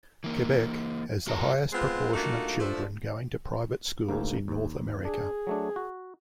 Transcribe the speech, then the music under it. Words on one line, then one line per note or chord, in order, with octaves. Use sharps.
Quebec has the highest proportion of children going to private schools in North America.
E3 A#3
G2 F#4 A#4 A5 A#5
G#3 B3 C4 F4
G2 A3 A#3 D#4 F4 F#4
F3 A3 D4
D2 G#2 A#3
D#2
D4 G#4
F#3 A3 D4
F#4